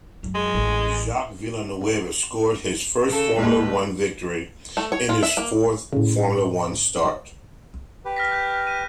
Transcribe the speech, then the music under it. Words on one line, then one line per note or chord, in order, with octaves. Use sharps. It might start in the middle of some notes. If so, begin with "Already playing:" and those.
Jacques Villeneuve scored his first Formula One victory in his fourth Formula One start.
F#2 F#3
G#3
A1
C#3 A4
A#1 D#2 G#3 B4
A3
C#5
F4
E5
A#3
A2 C#3
G4 B4
F6 A#6 B6
F#6 G6
D#7